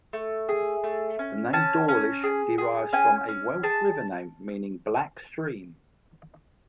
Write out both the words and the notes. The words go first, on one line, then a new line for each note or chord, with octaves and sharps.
The name "Dawlish" derives from a Welsh river name meaning "black stream".
A3
G#4
A3
C#4
C#4 A5
C#4
G#4
G#4
C#4 G#5
C#4
G#4 A5